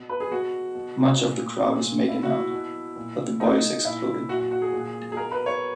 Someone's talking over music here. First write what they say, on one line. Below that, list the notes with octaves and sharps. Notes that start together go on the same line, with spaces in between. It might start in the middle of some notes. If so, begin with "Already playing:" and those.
Much of the crowd is making out, but the boy is excluded.
Already playing: B2
B4
G#4
B2 F#4
B2
A#2
A#2
A#2 E4
F#4
E4
B2
A#2
B2 D#4
A#2 E4
A#2 F#4
F#4
F#4
G#4
A#2
G#4
B2 A#4
B4
C#5